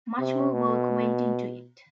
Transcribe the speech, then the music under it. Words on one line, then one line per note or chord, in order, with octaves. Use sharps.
Much more work went into it.
C3
B2